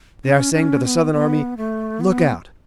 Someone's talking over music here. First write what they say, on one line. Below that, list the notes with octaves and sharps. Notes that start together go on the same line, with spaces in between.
They are saying to the Southern army: 'Look out!
C#4
D4
C#4
C#4
B3
B3
A3
B3